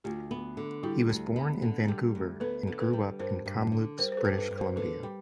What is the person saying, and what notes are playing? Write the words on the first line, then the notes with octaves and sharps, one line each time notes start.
He was born in Vancouver and grew up in Kamloops, British Columbia.
D2 F4 G4
B3
D3
G3 E4 F#4
D2
B3
D3
G3
D2
B3 A4 B4
D3
A4 B4
G3
G2 A#4 C5
G2
D3
G3 A#4 C5
C5
A4 B4
G2
A4 B4
G2
A#4 C5
D3 A4 B4
G3